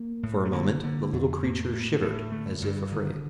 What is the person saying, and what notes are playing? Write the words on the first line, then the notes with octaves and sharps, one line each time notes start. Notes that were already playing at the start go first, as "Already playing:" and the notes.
For a moment the little creature shivered as if afraid.
Already playing: A#3
A2
A3
D3 A#3
D3
F2
A2 A#3
A2
A2
D3 A3
G2 G3
D3 D#3